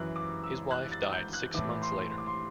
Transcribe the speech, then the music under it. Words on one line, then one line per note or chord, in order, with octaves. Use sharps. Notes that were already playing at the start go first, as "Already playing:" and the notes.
His wife died six months later.
Already playing: F#2 E3 F#6
D6
E6
F#6
A6
G6
F#6
A2 E3 D6
C6
C6
D6
C6